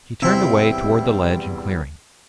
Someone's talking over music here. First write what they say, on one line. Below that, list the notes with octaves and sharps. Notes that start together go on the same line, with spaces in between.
He turned away toward the ledge and clearing.
E2 C3 G3 C4 E4